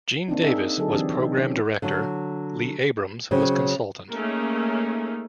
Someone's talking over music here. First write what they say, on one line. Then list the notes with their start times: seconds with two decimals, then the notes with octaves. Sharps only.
Gene Davis was Program Director, Lee Abrams was consultant.
0.28 A#3 C4 D4 D#4
0.42 D#4 G#4 E5
0.78 D3 F#3 G#4 A4
0.93 E3 C4 D4 G4
1.20 D#4
1.37 C4 C#4
1.82 D3 F#3
3.31 C#3 F#3 C4
4.12 A3 A#3 C#4 D#4 G#4